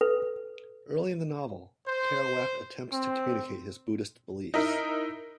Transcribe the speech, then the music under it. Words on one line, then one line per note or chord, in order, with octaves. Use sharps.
Early in the novel, Kerouac attempts to communicate his Buddhist beliefs.
A4 B4
C5
C4
D#4 E4 A#4